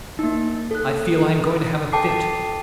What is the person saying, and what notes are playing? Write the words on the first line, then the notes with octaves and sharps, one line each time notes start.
I feel I am going to have a fit.
A#3 D#4
A4 F#6
A4 G5 A5 D6 C7